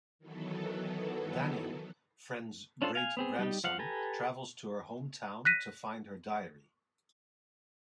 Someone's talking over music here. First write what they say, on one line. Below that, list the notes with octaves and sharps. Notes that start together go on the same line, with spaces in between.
Daniel, Fran's great-grandson, travels to her home town to find her diary.
D#3 E3 F#3 B3 A4
C#4 D4 F4 A4 C5
F5 G#5
B3 C4 G#4
G3 D#4 G4
F3 F5 F#5
G4 A4 B4 G#5 A#5
F#6 A#6 B6 D#7